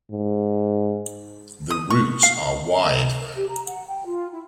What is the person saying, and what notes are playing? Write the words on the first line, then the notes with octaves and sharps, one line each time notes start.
The roots are wide.
G#2
D#6
C#6
F5
A#4
G4
A#5
F#5
G5
F4
E4